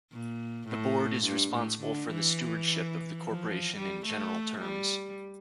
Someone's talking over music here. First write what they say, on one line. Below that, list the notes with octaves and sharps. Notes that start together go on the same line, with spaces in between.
The Board is responsible for the stewardship of the corporation in general terms.
A#2
A2
G2
A2
D3
E3
F3
G3
A3
G3